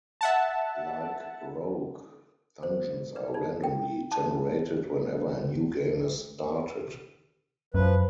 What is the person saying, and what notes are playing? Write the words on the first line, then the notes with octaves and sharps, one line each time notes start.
Like "Rogue", dungeons are randomly generated whenever a new game is started.
E5 F#5 A5
C5
B4
D#4
G5
A5
F#2 F3 B4